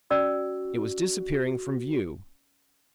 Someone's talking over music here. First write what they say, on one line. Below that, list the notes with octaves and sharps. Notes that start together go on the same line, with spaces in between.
It was disappearing from view.
C#4 F#4 D5 E6